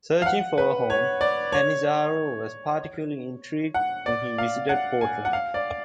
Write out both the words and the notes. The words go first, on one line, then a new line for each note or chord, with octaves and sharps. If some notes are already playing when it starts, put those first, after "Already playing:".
Searching for a home, Canizaro was particularly intrigued when he visited Portland.
F5
F#5
B4
C#5
D5
C#5
F#5
D5
F5
F#5
G#5
F#5
F5
D5